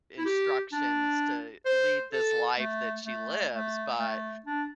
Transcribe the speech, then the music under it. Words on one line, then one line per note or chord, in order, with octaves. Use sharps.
instructions to lead this life that she lives, but
E4
G4
D4
C5
A4
A3
A3
A3
A3
D4